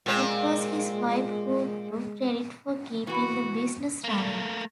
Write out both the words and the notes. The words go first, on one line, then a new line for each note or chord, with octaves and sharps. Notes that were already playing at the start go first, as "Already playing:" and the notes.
It was his wife who took credit for keeping the business running.
A#2 G#3 C4
E3 F#4 B4
A3 A#3